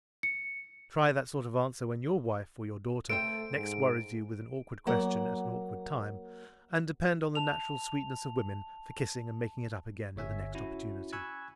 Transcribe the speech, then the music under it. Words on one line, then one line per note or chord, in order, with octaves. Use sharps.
Try that sort of answer when your wife or your daughter next worries you with an awkward question at an awkward time, and depend on the natural sweetness of women for kissing and making it up again at the next opportunity.
C#7
A3 A4 C5 G5 D7
G#2
F#3 A#3 F#5
A5 F7
G1 C#5 E5 G#5
C#4 E4 F#4
G#5 B5 C#6 E6 F#6 G#6